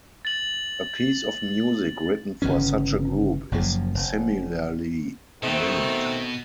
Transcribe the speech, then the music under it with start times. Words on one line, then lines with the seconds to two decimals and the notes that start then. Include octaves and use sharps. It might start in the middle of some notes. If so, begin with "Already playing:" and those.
A piece of music written for such a group is similarly named.
0.25 A6 F#7
2.42 G1 C#3 E3 C#4
3.52 F#1 F#2 F3 A#3
3.94 F1
5.43 B2 D#3 A3 C4